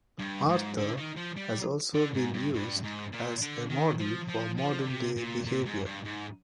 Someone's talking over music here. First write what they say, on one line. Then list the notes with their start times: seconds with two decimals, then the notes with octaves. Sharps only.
Arthur has also been used as a model for modern-day behaviour.
0.19 G2
0.49 G#2
0.77 D3
0.97 D#3
1.16 F3
1.36 G3
1.94 D3
2.15 G#2
2.34 G2
2.54 G2
2.83 G#2
3.12 A#2
3.41 D3
3.70 D#3
4.00 F3
4.29 F3
4.58 F3
4.82 D3
4.87 C3
5.17 A#2
5.46 A#2
5.65 G#2
5.85 G2
6.04 G#2